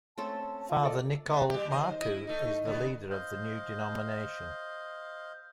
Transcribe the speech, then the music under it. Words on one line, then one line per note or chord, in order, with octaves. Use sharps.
Father Nikolle Marku is the leader of the new denomination.
A3 C4 C#4 A4 A5
C#4
F4
A4 D5 D#5
G#3 B3
G3 G4
D#2 C5 D#5
E4 D#5
A3 D#4
D3 B3
C5 D#5 F5